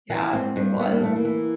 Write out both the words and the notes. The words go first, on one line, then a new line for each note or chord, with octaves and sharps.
Yeah, it was.
E3 E4
G#2 C4
G2
G2 B3
A#3
E3 A3
A#3
E3